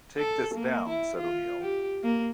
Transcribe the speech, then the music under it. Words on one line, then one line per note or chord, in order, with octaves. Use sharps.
"Take this down", said O'Neal.
A4
A#3
E4
F4
G4
A#3